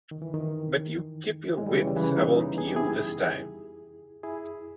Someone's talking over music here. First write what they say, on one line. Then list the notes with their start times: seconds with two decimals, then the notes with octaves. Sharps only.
But you keep your wits about you this time.
0.11 D#3
0.22 E3
0.34 D#3
1.58 G#3
1.66 G3
1.75 C#3 E3
1.87 G3
1.96 C#3 E3
2.17 B3 D#4
2.58 G#4
2.67 G4
2.76 E4 G#4
4.23 E4 G#4